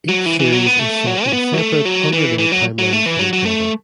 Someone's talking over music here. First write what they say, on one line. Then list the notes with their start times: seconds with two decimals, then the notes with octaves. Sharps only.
Each series is set in separate, unrelated timelines from each other.
0.09 F#3
0.26 E3
0.40 E3
0.52 F#3
0.67 B3
0.79 A3
1.07 F#3
1.25 C#4
1.33 B3
1.54 F#3
1.59 A3
1.85 F#3
2.13 E3
2.38 E3
2.52 F#3
2.79 F#3
2.93 A3
3.06 E3
3.19 F#3
3.33 F#3
3.46 A3